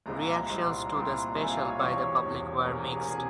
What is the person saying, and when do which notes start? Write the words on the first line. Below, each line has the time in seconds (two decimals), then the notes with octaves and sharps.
Reactions to the special by the public were mixed.
0.06 C2 A#2 G#3 C4 E4 A#5
0.21 A#5
0.35 A#5
0.49 C2 A#2 G#3 C4 E4 C6
0.71 A#5
0.92 C2 A#2 G#3 C4 E4 C6
1.14 A#5
1.35 C2 A#2 G#3 C4 E4 G#5
1.50 F5
1.65 C#5
1.79 E1 E2 C3 C#5
2.23 E1 E2 C3
2.66 E1 E2 C3 A#4
2.88 G#4
3.09 C3 G#4